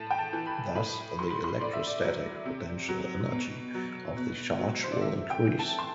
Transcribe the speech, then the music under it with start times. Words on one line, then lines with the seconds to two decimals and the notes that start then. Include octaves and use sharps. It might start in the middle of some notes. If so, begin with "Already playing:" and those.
Thus the electrostatic potential energy of the charge will increase.
Already playing: A2 A5
0.11 G5
0.18 A5
0.33 E3
0.47 B5
0.75 A2 B5
1.18 F#3 C6
1.30 B5
1.44 C6
1.60 A2 D5
1.73 E5
1.87 D5
2.04 F#3
2.45 C3
2.89 F#3
3.31 B2
3.74 F#3
4.17 B2
4.59 F#3
4.84 C5
4.92 D5
5.01 C3 E5
5.30 G5
5.45 E3
5.59 A5
5.79 C6